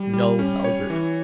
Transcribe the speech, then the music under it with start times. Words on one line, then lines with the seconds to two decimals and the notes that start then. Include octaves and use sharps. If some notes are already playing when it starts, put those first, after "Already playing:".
No, Halbert!
Already playing: G3
0.13 G3
0.39 C#4
0.64 C#5
0.90 E3